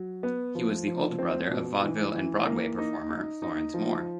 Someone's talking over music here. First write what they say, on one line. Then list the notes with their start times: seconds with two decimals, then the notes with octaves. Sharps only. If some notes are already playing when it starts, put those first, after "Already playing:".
He was the older brother of vaudeville and Broadway performer Florence Moore.
Already playing: F#3
0.23 B3
0.55 F3
0.87 F3
1.19 C4
1.51 B2
1.83 E3
2.14 E3
2.46 A#3
2.78 D#4
3.10 D#4
3.42 D#4
3.74 F3